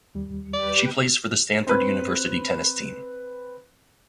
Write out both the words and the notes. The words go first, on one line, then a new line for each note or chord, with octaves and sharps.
She plays for the Stanford University tennis team.
D#2 G3
G4 B4 D5
C4 B4